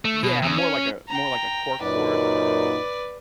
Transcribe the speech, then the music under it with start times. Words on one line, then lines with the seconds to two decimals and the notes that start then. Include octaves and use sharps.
Yeah, more like a more like a corkboard.
0.05 A3
0.23 B2
0.42 E2
0.58 C#4
1.08 G5 A#5
1.81 F#2 A#2 D#4 B4 D5